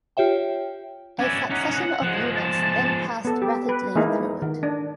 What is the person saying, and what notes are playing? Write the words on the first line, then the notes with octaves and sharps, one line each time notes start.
A succession of units then passed rapidly through it.
F4 G4 C#5 E5 G5
C#4 E4 F#4 D5 G#5
C#4 D#4 F#5
F3 G#3
D4 A5
B3 A4
G4
B4
E3 G#3 A#3 D#4 E4
D#3
D4